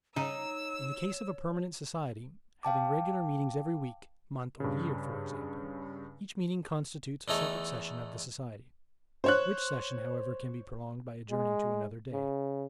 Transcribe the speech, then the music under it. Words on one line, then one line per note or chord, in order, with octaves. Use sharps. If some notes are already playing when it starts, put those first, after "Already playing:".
In the case of a permanent society, having regular meetings every week, month, or year, for example, each meeting constitutes a separate session of the society, which session however can be prolonged by adjourning to another day.
C#3 D#4 C#5 E6
F5 G5 A5 D6
G2 C#3
E2 A3 D#4 C#5
C5 C#5 F#6
G#3
C#3